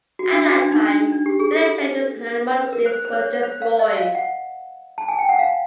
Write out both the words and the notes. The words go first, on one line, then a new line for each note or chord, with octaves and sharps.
At that time many churches and monasteries were destroyed.
F#4
D4
F#4
D4
D#4
D4
D4
G4
G#4
A4
B4
A#4
C5
C5
C#5
C#5
C5
F5
D#5
F5
F#5
A5
G#5
G5
F#5
F5